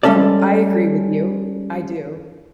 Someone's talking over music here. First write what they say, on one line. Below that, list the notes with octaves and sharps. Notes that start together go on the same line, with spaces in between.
Oh, I agree with you, I do.
G3 G#3 C#4 A4 D5